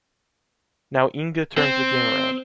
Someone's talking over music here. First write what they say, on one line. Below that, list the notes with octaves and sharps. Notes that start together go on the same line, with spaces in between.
Now Inge turns the game around.
C4